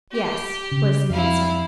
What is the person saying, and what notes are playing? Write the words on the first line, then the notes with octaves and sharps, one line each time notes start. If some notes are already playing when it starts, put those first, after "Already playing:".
"Yes," was the answer.
G4
C#3
F2 E4 F5